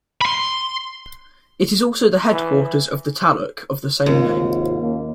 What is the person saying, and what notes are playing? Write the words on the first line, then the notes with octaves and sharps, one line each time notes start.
It is also the headquarters of the Taluk of the same name.
B5 C6
E3
G#1 D#2 C3 F4
A#3 C#4